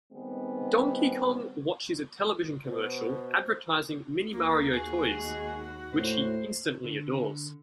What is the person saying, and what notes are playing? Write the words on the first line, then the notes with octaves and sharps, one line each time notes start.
Donkey Kong watches a television commercial advertising Mini-Mario toys, which he instantly adores.
D#3 G3 G#3 B3 C4
B2 C5
D#2 A#3
F#4 G#4
G#3
A2 C5
D3